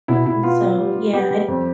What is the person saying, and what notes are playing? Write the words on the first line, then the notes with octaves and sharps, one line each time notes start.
And, so, yeah I'd
B2 E4
B2 E4
B3 F4
B3
G3
G3
B3 G4
G3
F2